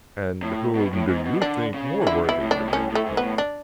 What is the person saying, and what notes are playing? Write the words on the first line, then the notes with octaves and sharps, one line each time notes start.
"And whom do you think more worthy?" demanded Henry.
A2
B2
A2
G#2
B2
D3 D4
C#3
E3
D3 E4
B2 E4
A2
D4
A2
B2
A2 C#4
A2
A3
G#2
A2 B3
D4